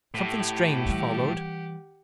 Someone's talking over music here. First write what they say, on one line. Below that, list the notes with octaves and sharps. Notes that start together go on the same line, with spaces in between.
Something strange followed.
A2 G4 F#5
E3 G3